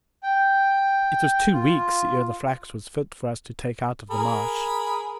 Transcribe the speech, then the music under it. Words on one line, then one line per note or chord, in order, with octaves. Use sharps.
It was two weeks ere the flax was fit for us to take out of the marsh.
G5
F4
G#4 A#4 B5